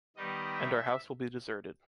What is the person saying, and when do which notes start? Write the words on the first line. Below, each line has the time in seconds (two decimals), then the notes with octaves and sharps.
And our house will be deserted.
0.16 D#3 G3 B3 D#4 D#5
0.55 E5